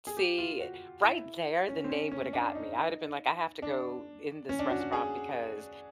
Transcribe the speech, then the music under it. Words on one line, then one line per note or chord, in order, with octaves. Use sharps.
See, right there, the name woulda got me. I woulda been like, I have to go in this restaurant because
G#4
G4
F4
F#4
E4
C#4
C4
C#4
C#4
D4
D#4
D4
C#4
D4
F#4
F#4
G#4